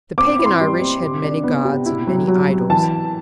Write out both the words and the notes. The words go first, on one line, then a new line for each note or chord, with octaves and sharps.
The pagan Irish had many gods and many idols.
C4 D6
E4
C6
G3
C4
C3
D4
B3
C3
E4
F#3
F#3
F#3
E3 A5